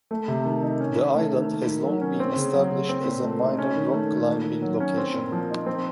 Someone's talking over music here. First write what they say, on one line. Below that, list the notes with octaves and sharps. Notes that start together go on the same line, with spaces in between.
The island has long been established as a minor rock-climbing location.
A3
C3
D#3
D#4
C#4
D#3
A3
D#3
A#3
D#3
F#3
C#4
C4
C#3
F#3
C#3
C4
A#2
A3
D#4
C#4
D#3
A3
D#3
A#3
D#3
F#3
C#4
C4
A#2
F3
D#4
C4